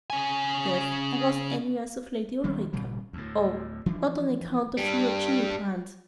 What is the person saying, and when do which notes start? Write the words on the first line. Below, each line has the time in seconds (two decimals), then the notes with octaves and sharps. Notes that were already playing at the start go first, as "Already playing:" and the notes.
Yes--I was envious of Lady Ulrica...Oh, not on account of you or Jimmy Brance!
0.10 C#3 G#5
2.44 B1 D#3 G3 B3
2.73 G#1 A#2 C#3 G3
3.13 D2 A2
3.86 E3 F3 D4
4.77 G2 G3